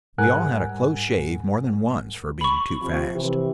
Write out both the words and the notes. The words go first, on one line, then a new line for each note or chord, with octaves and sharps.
We all had a close shave more than once for being too fast.
G#2 G3 A#4 F#5 G#5 F#6
B5 C#6
C3 F3
C3 E3